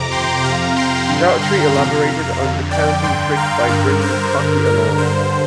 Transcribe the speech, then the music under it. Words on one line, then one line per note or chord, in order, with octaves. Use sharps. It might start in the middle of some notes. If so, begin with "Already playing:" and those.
Daughtry elaborated on the counting trick by bringing Cocky along.
Already playing: F2 C3 A#5 D6
G5 C6
F2 C3 F5 A#5
G5 C6
G2 D3
F5 A#5
F2 C3 F5 A#5
F2 D3
D5 G5
G2 D3 G5 C6
F5 A#5
G2 D3 A#4
C5
G2 D3 A#4
A#4
G2 D3 C5